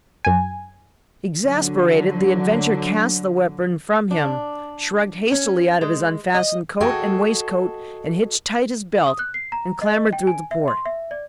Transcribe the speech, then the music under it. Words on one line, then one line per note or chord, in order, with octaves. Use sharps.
Exasperated, the adventurer cast the weapon from him, shrugged hastily out of his unfastened coat and waistcoat, hitched tight his belt, and clambered through the port.
F#2 G#5
D3 F#3
D4
C#4
G#3
D#5
F#4 G#4 A4 D#5 G5
D#6
F#6
C7
A#5
D#5
G5
G#5
E5
C6
E5
D5